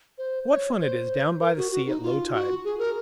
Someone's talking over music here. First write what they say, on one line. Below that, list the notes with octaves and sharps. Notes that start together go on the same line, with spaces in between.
What fun it is down by the sea at low tide!
C5
C#5
C5
A#4
F#4
F#4
D#4
F4
F#4
G#4
A#4